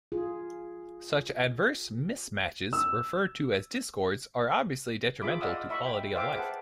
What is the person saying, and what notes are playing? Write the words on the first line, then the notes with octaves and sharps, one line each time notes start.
Such adverse mismatches, referred to as discords, are obviously detrimental to quality of life.
F4 G#4
E6
F4 G#4 E5 B5 D6
D5 D#5 F5 F#5 D#6 E6
D#5 E5 B5 C#6
G5
C5 E5 F5 G5 D6
G#4 B4 F#5 A5